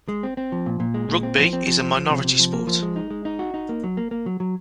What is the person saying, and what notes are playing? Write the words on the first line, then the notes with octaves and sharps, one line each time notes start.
Rugby is a minority sport.
G#3
C4
C4
F3
A#2
A#2
G#3
A#2
C4
F3
C4
F3
F3
F3
C3
C3
F3
A#3
F3
G#3
D#4
G#3
D#4
F#4
D#4
A#3
F#3
A#3
A#3
F#3
F#3